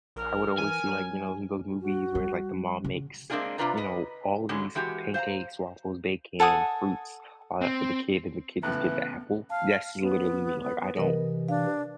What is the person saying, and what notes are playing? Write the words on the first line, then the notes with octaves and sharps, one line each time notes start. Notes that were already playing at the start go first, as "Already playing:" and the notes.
I would always see, like, you know, in those movies where, like, the mom makes, you know, all of these pancakes, waffles, bacon, fruits, all that for the kid, and the kid just get the apple. That's literally me, like, I don't
A#1 A#4
E3 G#5
F#3
F#4
G3
C#3
G#3 A#3 C4 D4 F4 G#4
C3 D4 F4 B4 D5 A#5
B4 D#5
F2 D3 F#3 G#3 C#4
E3 G#3 F#4 G4
C5 F5 G#5 A#5
A4 F#5 G#5 D#6
C4
C#2 A2 E3 B3 F#6
F5 A5
B3
C3 E3 A#4 B4 D#5
D4 F5